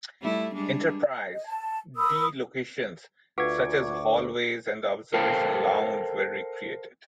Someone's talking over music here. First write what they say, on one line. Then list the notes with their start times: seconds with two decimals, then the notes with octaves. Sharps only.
"Enterprise"-D locations such as hallways and the observation lounge were re-created.
0.22 G3 A3 E4
0.55 G3 G#3 D4
1.32 D#5
1.46 A5
1.96 A#4 B5 D#6 E6
3.38 D2 F4 B4 F5 F#5 C#6 D6 G#6
5.14 A4 A#4 C5 F5 G5 A5